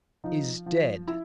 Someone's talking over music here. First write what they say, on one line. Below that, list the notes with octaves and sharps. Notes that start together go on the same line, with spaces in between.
"Is dead."
F3 D#4
F3
E4